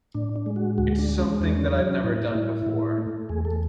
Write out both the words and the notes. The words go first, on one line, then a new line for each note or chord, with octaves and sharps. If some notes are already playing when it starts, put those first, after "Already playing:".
It's something that I've never done before.
A2 D4
D4
G#3
F#4
D2 F#4
D4
G#3
C#4
E2 D4
C#4
F#3 D4
C#4
A2 E4
A2 E4
A2
A3
E2 G#4
A4